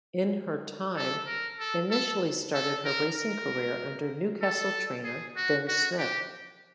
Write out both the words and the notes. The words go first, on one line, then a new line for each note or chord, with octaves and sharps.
In Her Time initially started her racing career under Newcastle trainer Ben Smith.
A4
A#4
A4
A4
A4
A#4
A#4
A4
G#4
F#4
F#4
G4